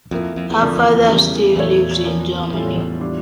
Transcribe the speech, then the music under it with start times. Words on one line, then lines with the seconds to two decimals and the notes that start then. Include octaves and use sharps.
Her father still lives in Germany.
0.11 F2 F3 A#3 E4
0.36 F2
0.50 E2
0.61 F2 D3 F3 A#3
0.77 E2
1.08 C#3 E3 G3 A#3
1.56 E2 A#2 A3 E4 A4 C#5
2.04 F3 A#3 C#4
2.43 F2
2.53 E2 A2 G3 C#4 F4 A4
3.01 G3 D4 F4